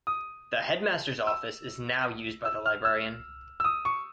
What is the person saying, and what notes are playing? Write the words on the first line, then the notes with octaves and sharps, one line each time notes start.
The Headmaster's office is now used by the librarian.
D#6
E6
E6
F6
E6
E6
D#6
C#6